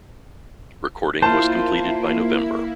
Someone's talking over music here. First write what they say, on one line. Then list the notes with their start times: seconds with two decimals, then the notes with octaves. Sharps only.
Recording was completed by November.
1.22 A#3 E4 F4 C5 A5